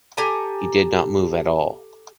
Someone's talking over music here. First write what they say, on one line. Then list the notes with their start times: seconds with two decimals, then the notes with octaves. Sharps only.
He did not move at all.
0.17 G4 A4 G#5 A#5